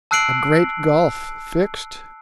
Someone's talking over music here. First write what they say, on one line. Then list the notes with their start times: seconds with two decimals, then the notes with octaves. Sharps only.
A great gulf fixed?
0.11 A5 E6 F#6 C7 D7 F#7